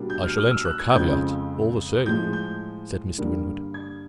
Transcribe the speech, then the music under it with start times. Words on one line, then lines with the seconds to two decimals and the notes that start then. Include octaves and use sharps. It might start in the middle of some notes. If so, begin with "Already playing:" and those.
"I shall enter a caveat, all the same," said Mr. Winwood.
Already playing: B2 G3 A#3 D4
0.10 G6
0.23 F6
0.38 F6
0.51 E6
0.65 F#6
0.79 G#6
0.94 F2 C#3 F3 G#3 G6
2.06 A2 F3 G#3 G6
2.33 G6
3.18 G2 D3 G3 A#3
3.74 G#6